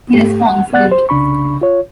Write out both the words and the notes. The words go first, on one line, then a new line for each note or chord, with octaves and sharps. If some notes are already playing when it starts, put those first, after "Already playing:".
He responds Didn't.
G#2 A3 G4
F#5
B3 D5 F#5 F#6 A6
C5
C2 C#3 D4 B5 C#6
F4 C#5